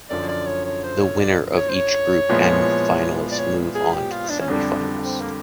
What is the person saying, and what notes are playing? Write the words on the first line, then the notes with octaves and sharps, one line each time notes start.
The winner of each group and finalist move on to the semifinals.
F#2 D3 F3 D5
D5
C#5
C#5
C5
C#5
D5
C#5
C5
C#5
A#2 F3 G#3 B3 E4
D5
C#5
G#4
G4
F4
D4
C#4
F2 D3 G3 D4
C4
A#3